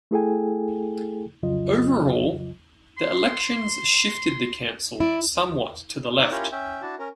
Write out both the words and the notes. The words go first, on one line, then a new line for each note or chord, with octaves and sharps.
Over all, the elections shifted the council somewhat to the left.
A3 E4 G#4 A4 G5 G#5
C2 F2 C#3 F#3 F4 D#5
C6
E4 D5
D#4 C#5 D5 E5 F#6
C#4 E4 F4 G4 A#4 C#5
C#4 E5 G5
D4 E4 F#4 A5
C#4 A#4